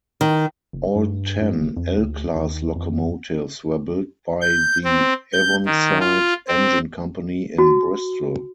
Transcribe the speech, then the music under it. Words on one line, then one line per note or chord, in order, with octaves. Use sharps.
All ten L class locomotives were built by the Avonside Engine Company in Bristol.
D#3
F#1
G2
G2
G1
F2
D2
D#2
F2
G6
C4
G6
D#3
F4
C4
F#4